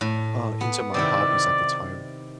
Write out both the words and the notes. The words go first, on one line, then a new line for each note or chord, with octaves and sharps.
uh, into my hobbies at the time.
A2
B3
C3 D#3 E4 D5